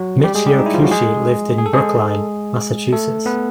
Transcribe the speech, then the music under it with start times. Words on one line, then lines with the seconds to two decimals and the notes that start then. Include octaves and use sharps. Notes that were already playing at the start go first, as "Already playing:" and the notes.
Michio Kushi lived in Brookline, Massachusetts.
Already playing: F#3 F#4
0.24 G3 G4
0.35 G#3 G#4
0.46 G3 G4
0.58 D#4
0.66 E4
0.74 F3 F4
0.83 F#3 F#4
0.91 G#3 G#4
1.58 G#4
1.66 A4
1.73 G#3 G#4
2.92 A3 A4
3.26 B3 B4